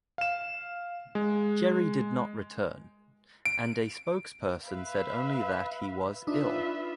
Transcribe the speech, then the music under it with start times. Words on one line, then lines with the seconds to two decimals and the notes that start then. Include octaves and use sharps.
Gerry did not return, and a spokesperson said only that he was "ill".
0.18 F5 E7
1.15 G#3
3.45 D7
4.66 B4 E5 F5
6.27 D4 D#4 F4 B4 E5